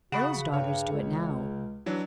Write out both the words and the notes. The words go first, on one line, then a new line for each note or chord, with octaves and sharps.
Earls' daughters do it now.
C#3 F#4 F#5 B5 C#6
G2 C#5 F6
C#2
E3 F#3 D4